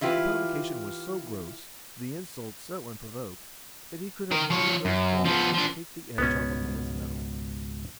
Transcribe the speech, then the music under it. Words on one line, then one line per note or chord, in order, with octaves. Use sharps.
The provocation was so gross, the insult so unprovoked, that he could have none of those qualms which take the edge off a man's mettle.
E3 E4 F4 G4 B4
D#3 A#4
F3 C#5
F#2
F3 B3
F3 D4
C#2 G#2 B2 B3 C#4